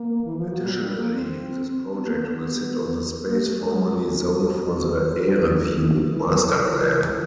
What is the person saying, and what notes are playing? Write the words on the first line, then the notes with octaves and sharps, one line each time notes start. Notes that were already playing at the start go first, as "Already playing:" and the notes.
Additionally, this project will sit on the space formerly zoned for the Erieview masterplan.
Already playing: A#3
E3
F3
F#3
G3
F#3
G3
A#3
C4
B3
A#3
B3
A#3
A3
G#3
G#3
F#3
F3
E3
F3
E3
E3
E3